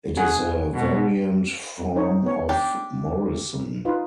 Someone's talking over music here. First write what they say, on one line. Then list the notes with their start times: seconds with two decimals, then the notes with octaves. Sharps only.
It is a variant form of Morrison.
0.17 G#4 F#5
0.74 B2 G#3
1.96 D#4 C5 C#5
2.23 B3 C#5
2.49 D4 G4 G5
3.85 D#4 F4 B4